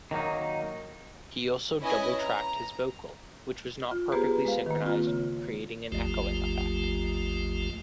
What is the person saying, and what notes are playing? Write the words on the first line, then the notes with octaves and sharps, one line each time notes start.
He also double-tracked his vocal, which was not perfectly synchronised, creating an echoing effect.
D#3 F#3 A#3 D#4
C#4 E4 B4 D#5 G#5
A#5
F4
B3 G4 G#4 B4 C5 A#5
G#3 B4 F5
D#3 A#3
C4 F4
C#3
G#1 D#2 F3 A3 F4 G4